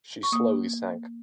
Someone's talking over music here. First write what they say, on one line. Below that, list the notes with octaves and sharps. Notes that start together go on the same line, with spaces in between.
She slowly sank.
C#6
A#3 D#6